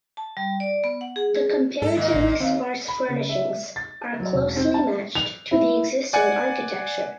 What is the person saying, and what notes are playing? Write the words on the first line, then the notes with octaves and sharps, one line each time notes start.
The comparatively sparse furnishings are closely matched to the existing architecture.
A5
G3
D5
B3
F#5
G#4
G#4
G#2 A4
A#2 D#3 A#3 D#5
A1
D#2 C4 F5
B5
C#3
E5
A6
F#3
E1
C4
A5
F7
E4
D5 F#5 G#5 F#6 G#6 C#7